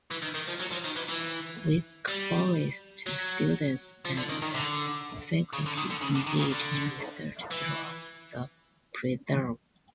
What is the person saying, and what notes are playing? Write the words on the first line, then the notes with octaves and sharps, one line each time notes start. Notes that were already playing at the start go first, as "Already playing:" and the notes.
Wake Forest students and faculty engage in research throughout the preserve.
E3
D#3
D#3
F3
F#3
F3
D#3
E3
E3
G3
F#3
F3
D3
D#3
D#3
D3
C#3
D3
D#3
D3
C#3
D3
D#3
C#3
D3
E3